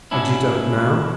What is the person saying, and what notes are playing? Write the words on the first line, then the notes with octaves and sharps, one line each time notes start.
"And you don't now?"
G#2 C#4 D4 E4